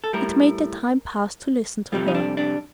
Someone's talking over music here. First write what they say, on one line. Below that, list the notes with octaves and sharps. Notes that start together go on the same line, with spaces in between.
It made the time pass to listen to her.
A4
A2 G3 A#4
F2 C3 G3 F4
D#4
D4
D4